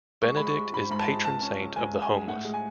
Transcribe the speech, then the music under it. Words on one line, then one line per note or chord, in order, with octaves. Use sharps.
Benedict is patron saint of the homeless.
G#3 C#6
G#3 B5
C#6
G#3
G#2 B5
G#2 B5
A5
G#3
C#2 A5
C#4
C#2
C#2 G#5
G#3
G#5
G#3
A2 F#5
G#3
G#5